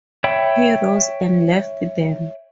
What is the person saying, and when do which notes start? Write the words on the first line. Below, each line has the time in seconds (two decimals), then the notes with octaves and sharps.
He rose and left them.
0.24 C#5 E5 G5 B5